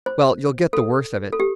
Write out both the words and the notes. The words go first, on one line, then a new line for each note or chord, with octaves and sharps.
Well--you'll get the worst of it.
C5
A4
A4
G4